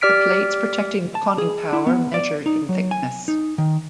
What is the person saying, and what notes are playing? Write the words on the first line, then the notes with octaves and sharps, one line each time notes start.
The plates protecting the conning tower measured in thickness.
G4 D5 F6 B6 D7
A5
G#4
E4
B3
D5
D#4
F#3
G#5
D#4
D#3